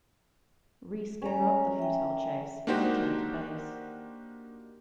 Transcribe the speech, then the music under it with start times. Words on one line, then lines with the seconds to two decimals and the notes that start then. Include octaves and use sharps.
Rees gave up the futile chase, and returned to base.
1.22 C#4 A#5
1.79 E5 G5
2.67 A#3 D4 D#4 F#4 G4 C5